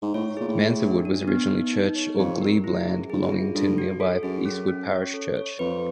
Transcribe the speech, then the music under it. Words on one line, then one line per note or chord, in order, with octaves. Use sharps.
Mansewood was originally Church or 'Glebe' land belonging to nearby Eastwood Parish Church.
G#2
A2 C#5
A#2 G#4
A2
G#4
D4
D4
B3
D#4
D#4
C#5
F2 G4
A#4
E4
F#2 G#4
G2 G#4
F#2
F4
G2 A4
F#4
A4
F#2 G#4
C#4
C#4
C#5
A4
C#5
F2 B4